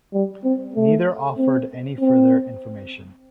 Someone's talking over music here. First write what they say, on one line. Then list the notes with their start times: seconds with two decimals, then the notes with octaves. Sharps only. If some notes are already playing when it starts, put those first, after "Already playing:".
Neither offered any further information.
0.13 G3
0.44 C4
0.75 A3
1.38 C4
2.00 C4